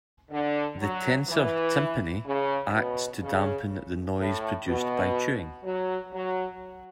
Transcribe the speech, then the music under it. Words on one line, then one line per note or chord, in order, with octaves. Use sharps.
The tensor tympani acts to dampen the noise produced by chewing.
D3
F#3
E3
C#3
B2
C#3
A2
B2
F#3
F#3